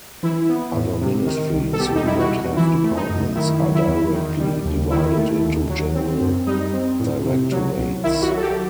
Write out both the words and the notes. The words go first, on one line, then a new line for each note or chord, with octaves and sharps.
Other ministries, who do not have departments, are directly divided into general directorates.
E3 E4
B3
A2
C3
D#3
C2
A4
B2 G4
D#4
G3 E4
F#4
C2
E3 E4
A3
D#4
F#2
D#3 E4
F#3
E4
E2
D#3
G3
D#2
D#3 E4
A3
D#2
F#3
C4
F#2
G3 D#4
C4
A2
C3
F#3
C2
D#3 E4
F#4
F#3
A4
G4